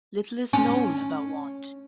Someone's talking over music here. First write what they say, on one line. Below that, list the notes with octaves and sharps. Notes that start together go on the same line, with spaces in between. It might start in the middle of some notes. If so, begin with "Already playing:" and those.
Little is known about Wand.
C#4